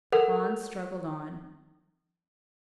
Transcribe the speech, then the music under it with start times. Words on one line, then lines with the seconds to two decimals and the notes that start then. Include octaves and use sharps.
Hans struggled on.
0.12 A4 A#4 F#5